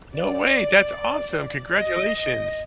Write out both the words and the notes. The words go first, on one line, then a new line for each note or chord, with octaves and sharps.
No way, that's awesome. Congratulations.
D5
D#5